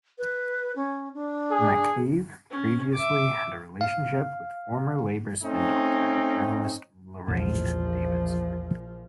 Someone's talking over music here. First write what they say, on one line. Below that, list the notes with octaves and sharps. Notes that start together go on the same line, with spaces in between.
McCabe previously had a relationship with former Labour spin-doctor and journalist Lorraine Davidson.
B4
C#4
D4
G#4
C#4
E5 D6
F5
A3 C4 C#4 D#4
A#1 E2 A#2 F3